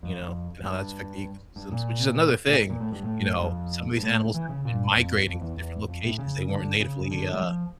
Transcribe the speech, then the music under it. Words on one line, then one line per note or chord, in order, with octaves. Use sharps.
You know, and how that's affecting the ecosystems, which is another thing, you know, some of these animals have been migrating to different locations they weren't natively, uh,
F2
G2
G2
A#2
A#2
A#2
A2
G2
A2
G2
F2
G2
A2
E3
C#3
A#2
F2
F2
E2
E2
F2
A2
C#3
D3
C#3
D3
G3
F3